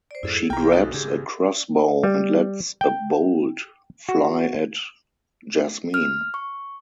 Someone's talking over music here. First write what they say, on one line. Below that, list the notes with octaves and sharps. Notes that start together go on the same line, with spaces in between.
She grabs a crossbow and lets a bolt fly at Jasmine.
C5 D5
F2 G#2 E4 G#4 A4
B1 F4 G5 A#5
G#1 D#4 F#4 A4
C#3 C#4 G4 G#4
G3
G5
F#4
F6
C#6